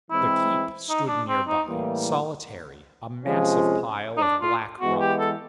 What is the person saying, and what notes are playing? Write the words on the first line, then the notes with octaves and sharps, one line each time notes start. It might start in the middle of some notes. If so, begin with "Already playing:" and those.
The keep stood nearby, solitary, a massive pile of black rock.
E3 G#3 C4 E4
D#4
D4
C4
D#4
A2 E3 G3 A#3
C3 F3 G#3 C#4 F4
D#4
D4
F4
E3 G#3 B3 F#4
G4
A4